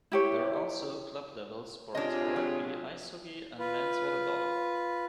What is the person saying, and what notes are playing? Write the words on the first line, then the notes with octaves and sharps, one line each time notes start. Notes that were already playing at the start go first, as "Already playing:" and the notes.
There are also club-level sports for rugby, ice hockey, and men's volleyball.
E4 G4 C#5
C3 D4 F4 G#4 C#5 D#5
F#3
F4 B4